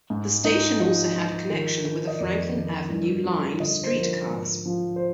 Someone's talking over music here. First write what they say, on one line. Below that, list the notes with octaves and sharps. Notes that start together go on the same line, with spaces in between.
The station also had a connection with the Franklin Avenue Line streetcars.
G#2
G#2 D#4
F3 D#4
F3
D#3
D#3
D#5
F2 D5
D#3
G2
F3
D3 D#5
C5
F3 A#4
G#2
F3
C5